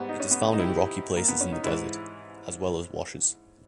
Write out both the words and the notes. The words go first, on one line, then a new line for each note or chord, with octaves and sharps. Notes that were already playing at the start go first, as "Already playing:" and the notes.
It is found in rocky places in the desert, as well as washes.
Already playing: G#2 G3 B3
D#4
C#4
B3
C#4
D#4
E4
G4
A#3
B3
C#4
D#4
G#2 E3 G#3 E4